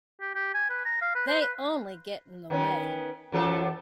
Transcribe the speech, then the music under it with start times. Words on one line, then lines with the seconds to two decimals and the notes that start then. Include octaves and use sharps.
They only get in the way.
0.21 G4
0.35 G4
0.54 G#5
0.70 B4
0.85 A#5
1.02 F5
1.15 B4
1.27 C5
1.41 B4
2.50 D#3 B3 C#4
3.32 F#2 E3 A4